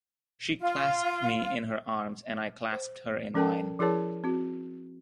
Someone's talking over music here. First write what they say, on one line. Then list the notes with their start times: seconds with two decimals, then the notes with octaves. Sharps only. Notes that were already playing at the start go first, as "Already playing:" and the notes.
She clasped me in her arms, and I clasped her in mine.
0.59 F4
2.73 C5
3.34 F3 C#4 A4 A#4 G5 A5
3.79 F3 E4 G#4 A#4 C#5 A5
4.24 C4 F#4